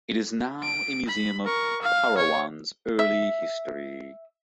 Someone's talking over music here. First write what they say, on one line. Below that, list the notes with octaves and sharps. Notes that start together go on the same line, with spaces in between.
It is now a museum of Parowan's early history.
D7
B5
A#4 C#6
F5
C#5
E5